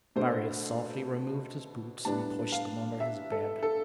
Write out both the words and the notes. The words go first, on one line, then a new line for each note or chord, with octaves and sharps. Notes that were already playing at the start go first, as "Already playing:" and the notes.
Marius softly removed his boots and pushed them under his bed.
B2 A3 D4 C5
A2 G3 B3 D4 A5
F5
E5
A4
A4